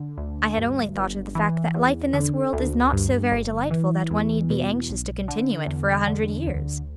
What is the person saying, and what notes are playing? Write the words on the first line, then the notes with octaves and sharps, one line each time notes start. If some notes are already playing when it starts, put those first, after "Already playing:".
I had only thought of the fact that life in this world is not so very delightful that one need be anxious to continue it for a hundred years.
Already playing: D3
D2
G2
G1
E3
E2
D3
D2
G2
G1
E3
E2
B2
B1
D3
E2
D3
D2